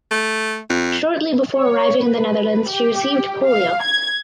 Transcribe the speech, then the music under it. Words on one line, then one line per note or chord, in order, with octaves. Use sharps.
Shortly before arriving in the Netherlands she received polio.
A3
F2
C#5
B4
G4
F5
G#6